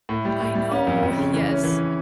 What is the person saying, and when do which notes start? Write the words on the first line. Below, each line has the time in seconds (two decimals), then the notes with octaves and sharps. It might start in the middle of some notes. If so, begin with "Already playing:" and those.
I know, yes.
0.09 A2
0.25 G3
0.41 A2
0.55 G3
0.72 C#4
0.87 F2
1.03 F2
1.17 C#3
1.33 E3
1.49 C#4
1.64 E3